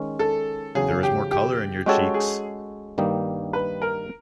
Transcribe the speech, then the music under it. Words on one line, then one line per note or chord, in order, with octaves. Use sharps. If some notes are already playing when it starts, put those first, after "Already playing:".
There is more colour in your cheeks.
Already playing: D#3 G#3 C#4
A4
E2 C#3 F#3 G#4
G4
G4
G#3 C#4 F#4 G4 A4 C#5
G#4
G2 D#3 G3 A#3 D#4
B4
A#4